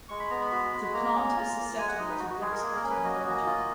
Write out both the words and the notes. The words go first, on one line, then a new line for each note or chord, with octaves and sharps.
The plant is susceptible to blackspot and mildew.
G#3 C#6
B5
B3 A#5
B5
F#4
G#3
B5
A#3 A#5
C#4
F4
A#3
G#3 G#5
F#5
D#4 D#5
B4
F#4
F#4
G#3 G#4
A#4
A#3 G#4
A#4
C#4
B4
F#4 D#5
A#3 D#5
F4